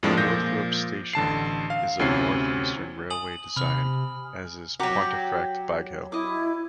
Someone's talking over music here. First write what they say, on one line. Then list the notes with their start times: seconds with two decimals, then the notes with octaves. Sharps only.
Moorthorpe station is of North Eastern Railway design, as is Pontefract Baghill.
0.03 F2 A2 F3 G#3 A#3 D4
0.17 A#2 F3 G6 A#6
1.13 A1 D3 A5 C7
1.70 F5
1.99 D2 C3 C#4 E4 C7
3.10 G#5 D#6 F#7
3.56 C3 B5 F6
4.80 F#3 F#4 G4 A#5 D6
6.12 E4 D#5 D6